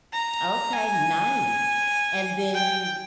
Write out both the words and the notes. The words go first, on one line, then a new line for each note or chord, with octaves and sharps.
Okay, nice, and then you
A#5
G#5
G5